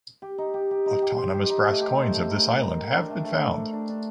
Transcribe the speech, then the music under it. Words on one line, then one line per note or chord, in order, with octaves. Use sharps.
Autonomous brass coins of this island have been found.
G4
D#4
G4
G4
D#4
G4
C5
G4
D#4
A3
G4
C5
A3
A#4
A#4
A#4
A#4
D4
A3
A3
A3
A#4
D4
D4